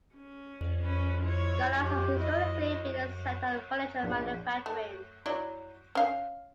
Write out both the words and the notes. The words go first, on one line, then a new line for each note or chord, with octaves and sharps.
Galax has historically been a center of furniture manufacturing.
C#4
C#4 B4
E4 C#5
G4
E4 D#5
A#1
A3
F#3 E4 D5
C#4 F5